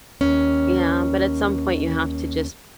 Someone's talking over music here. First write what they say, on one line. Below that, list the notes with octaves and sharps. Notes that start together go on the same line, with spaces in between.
Yeah, but at some point, you have to just
D#2 C#4